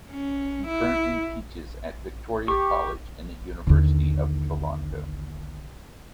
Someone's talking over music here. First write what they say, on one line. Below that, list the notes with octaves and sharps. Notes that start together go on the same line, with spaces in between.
He currently teaches at Victoria College in the University of Toronto.
C#4
E4
G4 C#6
D#2 D3